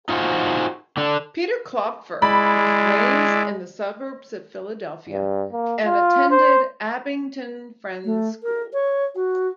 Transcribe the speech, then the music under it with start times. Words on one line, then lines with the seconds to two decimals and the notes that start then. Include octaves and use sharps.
Peter Klopfer was raised in the suburbs of Philadelphia and attended Abington Friends School.
0.09 D#4 F4 F#4 G#4 C5
0.97 D3 D4
2.22 G#3 E4 D5 B5
5.09 G2
5.52 A#3
5.85 F4
6.31 C5
8.05 A3
8.43 A#4
8.73 C#5
9.15 F#4